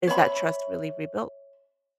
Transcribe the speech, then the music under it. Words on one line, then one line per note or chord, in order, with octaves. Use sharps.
is that trust really rebuilt?
C#5 E5 B5